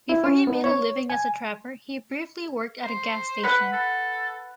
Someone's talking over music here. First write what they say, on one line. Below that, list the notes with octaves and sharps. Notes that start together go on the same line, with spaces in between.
Before he made a living as a trapper, he briefly worked at a gas station.
E4
C#4
B3
C#5
G#5
C5
B4 F#5 B5 F#6
A4